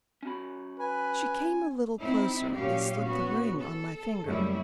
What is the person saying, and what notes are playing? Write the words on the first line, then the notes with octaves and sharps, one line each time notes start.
She came a little closer and slipped the ring on my finger.
C#4 F#4 B5
B4 G#5
C4 D#4 E4
A#2 F#3 C#4 G4 F5
B3 C#4 F#4
A4
F#2 C#3 G3 A3 A#3 E4